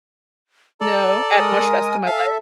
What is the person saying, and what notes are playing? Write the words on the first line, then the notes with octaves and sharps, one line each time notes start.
No, add more stress to my life.
A4 D5 A#5
G#3 A#4 G#5 D#6
A4 E5 F5